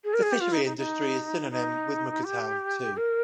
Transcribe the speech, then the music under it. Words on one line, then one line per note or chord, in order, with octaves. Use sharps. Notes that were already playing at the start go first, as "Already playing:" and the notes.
The fishery industry is synonym with Mukah town too.
G#4
A#4
G#4
G4
F4
D#4
D#4
D#4
D#4
G4
A#4